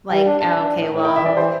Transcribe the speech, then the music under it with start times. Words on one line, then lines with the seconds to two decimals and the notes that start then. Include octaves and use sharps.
like, oh, okay, well,
0.10 G3 G5
0.26 D4
0.41 D4 A5
0.57 D4
0.73 A2
0.89 A2
1.05 E4 G5
1.16 E5
1.21 E3 D5
1.36 E3 C5